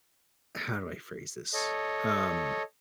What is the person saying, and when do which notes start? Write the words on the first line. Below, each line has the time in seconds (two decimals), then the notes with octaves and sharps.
How do I phrase this? Um,
1.54 A4 C#5 D#5